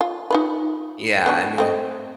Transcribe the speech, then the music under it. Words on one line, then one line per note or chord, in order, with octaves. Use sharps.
Yeah, I mean
F4
D#4 F4 B4
B3 D4 F#4
A3 C4 D#5